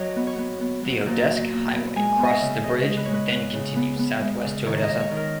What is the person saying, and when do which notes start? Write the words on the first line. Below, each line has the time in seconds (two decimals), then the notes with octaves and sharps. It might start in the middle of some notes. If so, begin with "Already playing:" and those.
The Odeske Highway crosses the bridge and then continues south-west to Odessa.
Already playing: F#3 C#5 D#5
0.16 B3
0.27 C#5
0.38 B3
0.61 B3
0.83 F#3
1.06 A#2
1.28 A#2
1.51 A#2
1.73 B3
1.96 G#3 G#5
2.18 B3
2.24 D#5
2.30 E5
2.41 C#3
2.63 C#3 D#5
2.86 G#3
2.97 B4
3.05 G#3 C#5
3.14 B4
3.30 B3 B4
3.54 C#3
3.76 B3
3.99 B3
4.21 G#3
4.44 C#3
4.66 D#3 C#5
4.83 D#5
4.88 D#3
5.00 C#5
5.11 D#3
5.17 A#4